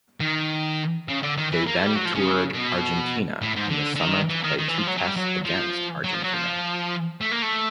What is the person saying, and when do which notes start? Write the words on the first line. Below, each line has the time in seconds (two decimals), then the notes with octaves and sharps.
They then toured Argentina in the summer to play two tests against Argentina.
0.20 D#3
1.08 C#3
1.23 D3
1.37 D#3
1.52 E3
1.66 A#3
1.76 A3
1.86 G3
1.96 F#3
2.05 F3
2.15 C#3
2.54 B2
3.42 A2
3.56 G#2
3.70 D3
3.95 D3
4.00 D#3
4.29 E3
4.43 D#3
4.58 D#3
4.68 E3
4.78 F3
4.87 F#3
4.97 F#3
5.07 G3
5.16 F#3
5.45 F3
6.04 F#3
6.14 F3
6.23 F#3
6.33 F3
7.21 A3
7.31 A#3
7.42 A3